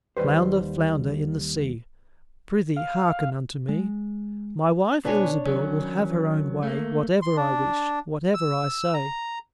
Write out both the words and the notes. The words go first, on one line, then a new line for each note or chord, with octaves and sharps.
"Flounder, flounder in the sea, Prythee, hearken unto me: My wife, Ilsebil, will have her own way Whatever I wish, whatever I say."
D#2 G3 B4 C5
F5
G#3
B2 D4 B4 C#5 G#5
D#3 F#3 C#4
A3 A#3
C6
D4
E6
A#5